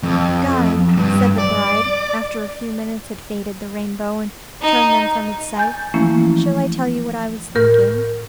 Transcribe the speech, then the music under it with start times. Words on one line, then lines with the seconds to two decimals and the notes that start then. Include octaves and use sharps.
'Guy,' said the bride, after a few minutes had faded the rainbow, and turned them from its sight, 'shall I tell you what I was thinking?
0.03 F2
0.97 G2
1.38 D5
4.62 D#4
5.57 G#5 G6 A6
5.94 E3 F3 A3 A#3 C#4 E4
7.55 A2 A#4 F6 G6